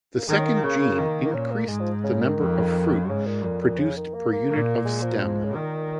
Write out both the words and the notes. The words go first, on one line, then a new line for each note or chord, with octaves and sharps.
The second gene increased the number of fruit produced per unit of stem.
A#3
D#3 G#3
C#4
A#3
C#3
D#3
A#3
A#2 C#4
A#3
G#2 G#3
F3
C#3
D#3
F2
G#2 C#3
A#2
F2 A#2
A#2
C#3
D#3
A#3
A#3
A#2
G#3
F3
G#2
C#3
A#2 D#3